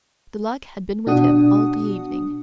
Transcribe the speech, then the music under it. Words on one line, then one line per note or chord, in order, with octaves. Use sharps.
The luck had been with him all the evening.
B2 D4 F#4 F#5 D#6